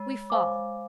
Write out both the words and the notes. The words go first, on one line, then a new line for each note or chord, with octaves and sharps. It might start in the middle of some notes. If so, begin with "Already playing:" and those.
We fall.
Already playing: G#3
C5 F5 G#5 D6